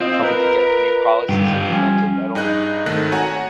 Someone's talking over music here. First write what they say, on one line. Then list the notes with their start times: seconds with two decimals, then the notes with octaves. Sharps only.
hoping to get new policies implemented that'll
0.01 C4 F4 D#5
0.23 A#4 B4
1.29 G2 D3 F4 G4
1.47 G5
1.70 F3 G3 C#4
2.35 G2 D#4 G#4 D#5 F#6 G6
2.86 G#1 D#3 A3 F#6 A#6
3.12 F#4 C#5 F#5 G#5 A#5